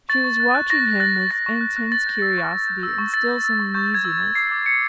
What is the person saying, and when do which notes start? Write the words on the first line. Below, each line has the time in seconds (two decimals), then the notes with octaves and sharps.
She was watching him with intense curiosity and still some uneasiness.
0.09 C#6 A6
0.24 C#6
0.40 F#6
0.55 F#6
0.70 C#6 A#6
0.85 C#6
1.00 F#6 A6
1.16 F#6
1.31 C#6 A6
1.46 C#6
1.61 F#6
1.76 F#6
1.92 C#6 A6
2.07 G6
2.22 E6
2.38 C#6
2.53 C#6
2.68 G6
2.83 E6
2.98 C#6
3.14 C#6 A6
3.29 G6
3.44 E6
3.59 C#6
3.74 C#6 G6
3.90 G6 G#6
4.05 E6
4.20 C#6
4.35 D6 C7
4.51 D6
4.65 G6 C#7